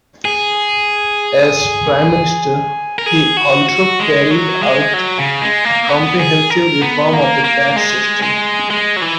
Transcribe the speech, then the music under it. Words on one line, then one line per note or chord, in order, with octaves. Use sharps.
As Prime Minister he also carried out a comprehensive reform of the tax system.
G#4
A#4
G#4
F#4
F#4
G#3
F#3
G#3
F#3
C#3
G#3
A#3
B3
G#4
A#4
B3
A#3
A#3
G#3
G#3
G#3
F#3
E3